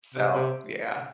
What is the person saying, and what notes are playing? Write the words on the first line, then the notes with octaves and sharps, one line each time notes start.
So, yeah.
C3
C3